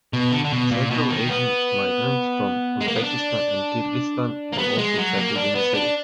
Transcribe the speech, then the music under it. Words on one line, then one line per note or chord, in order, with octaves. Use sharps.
Central Asian migrants from Uzbekistan and Kyrghyzstan have also settled in the city.
B2
D3
D3
B2
A#2
B2
D#3
B3
G#3
A#3
B3
D4
A#3
B3
G#3
F#3
A#3
D4
B3
D4